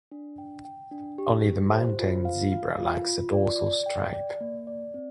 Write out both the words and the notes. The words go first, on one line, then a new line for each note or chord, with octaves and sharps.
Only the mountain zebra lacks a dorsal stripe.
D4
G5
G5
D4
G4
G4
C5
F4
F5
F5
F4
F4
D5
D5
G5
D5
A#3
D5
C4